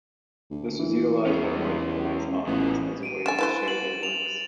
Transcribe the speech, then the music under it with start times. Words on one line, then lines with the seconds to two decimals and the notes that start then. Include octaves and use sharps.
This was utilized by marginalized authors as a way to share their works.
0.50 D2
0.79 E3
1.26 E2 G#3 C#4
2.47 A1 G#2 B3
3.03 D7 D#7
3.26 D3 G#5 A6 E7
3.39 E4 B4 C5 E7
3.68 F#7
4.03 F7